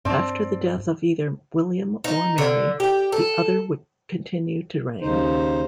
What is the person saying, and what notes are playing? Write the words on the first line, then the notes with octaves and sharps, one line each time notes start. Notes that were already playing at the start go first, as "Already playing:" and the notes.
After the death of either William or Mary, the other would continue to reign.
G2 C4 D5 A5
D#4
D3
G4
A4
D#2 C#3 D#4 C5